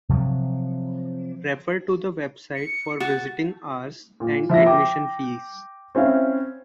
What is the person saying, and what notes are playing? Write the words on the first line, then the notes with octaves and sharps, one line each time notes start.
Refer to the website for visiting hours and admission fees.
C3 F3 F#3
C#7
F#4 A6
A#2
F3 E4 E5 A#6
G5 D6
C4 C#4 E4 F5